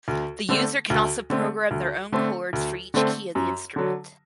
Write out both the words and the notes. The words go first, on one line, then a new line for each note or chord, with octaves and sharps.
The user can also program their own chords for each key of the instrument.
D2
D3 A3 C4
D2
D3 A3 C4
D2
D3 A3 C4
D2
D3 A3 C4
F#2
D3 F#3